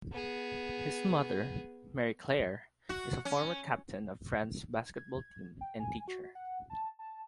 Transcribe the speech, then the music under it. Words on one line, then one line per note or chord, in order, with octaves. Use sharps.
His mother, Marie-Claire, is a former captain of France's basketball team and teacher.
B3 G#4
F#4
C#4
G#6
G5
G#5
F#4
F#5
A5
A5